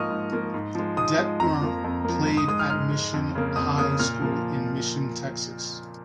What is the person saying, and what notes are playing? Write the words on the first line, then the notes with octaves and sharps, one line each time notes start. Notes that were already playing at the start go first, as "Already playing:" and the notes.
Detmer played at Mission High School, in Mission, Texas.
Already playing: G#2 F3 A#3 D#5 C#6 D#6 F6
G#2
F3 A#3
G#2
F3 G#3
G#2 D#6
F3 G#3
F2 A#5
F3 A#3
F2
F3 A#3
G#2
D#6
G#3 D#6
F6
G#2 F6
G#3
F2
C#3 A#3
F2 D#6
C#3 A#3 D#6
A#2 F6
F3 A#3